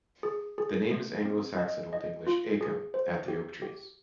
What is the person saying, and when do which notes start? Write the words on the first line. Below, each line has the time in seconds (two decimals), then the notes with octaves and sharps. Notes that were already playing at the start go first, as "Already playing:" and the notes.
The name is Anglo-Saxon Old English "acum", 'at the oak trees'.
0.23 G#4
0.58 G#4
0.91 A3
1.25 C4
1.59 D#5
1.93 D#5
2.27 F4
2.61 G#4
2.94 C5
3.28 G4
3.62 G4